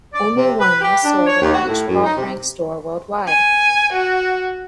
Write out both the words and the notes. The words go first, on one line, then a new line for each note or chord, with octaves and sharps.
Only one was sold at each Paul Frank store worldwide.
D5
C3
B4
G4
D4
C#5
D#2
F#4
A2
F#2
D#4
C3
G#5
F#4